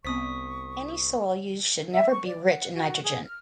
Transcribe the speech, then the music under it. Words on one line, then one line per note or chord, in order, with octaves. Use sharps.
Any soil used should never be "rich" in nitrogen.
C2 B3 C4 C5 C#6 D#6 B6
E5
C#6
D5
F#5
F#4
G#4
F6